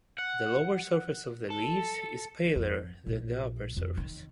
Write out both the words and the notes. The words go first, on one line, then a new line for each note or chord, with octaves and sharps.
The lower surface of the leaves is paler than the upper surface.
F#5
A4
F2
A#1
F2
D#3